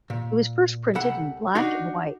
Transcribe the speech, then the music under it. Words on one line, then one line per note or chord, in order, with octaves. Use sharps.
It was first printed in black and white.
A#2
C2 A4 F#5 B5
D4 D#4 F#4